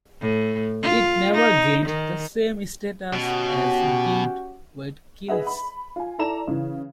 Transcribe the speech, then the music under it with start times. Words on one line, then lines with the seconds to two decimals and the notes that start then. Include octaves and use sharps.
It never gained the same status as did Wade-Giles.
0.22 A2
0.82 F4
1.34 D#4
1.86 D#3
3.13 B2 C#4 F#4 G4
5.28 G#4 B4 D#5 E5 F#5
5.47 B5
5.96 F4 G#5
6.18 E4 A4 D5 A#5 E7
6.47 C#3 E3